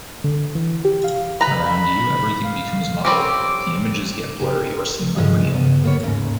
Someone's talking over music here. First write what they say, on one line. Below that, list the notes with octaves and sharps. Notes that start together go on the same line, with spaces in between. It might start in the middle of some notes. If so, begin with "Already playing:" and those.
Around you, everything becomes muddled, the images get blurry or seem unreal.
D3
E3
G4
F5
B4 A#5 B5
F5
G3 C4 C#4 D6
G4 A#4
G2 D3 F3 G#3 C#4
B3
A#3 B3 C#5
D#2 G#2 C#3